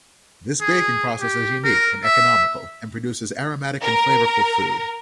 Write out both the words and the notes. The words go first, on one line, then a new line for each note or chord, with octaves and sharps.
This baking process is unique and economical and produces aromatic and flavorful food.
G#4
G4
A#4
E5
A#4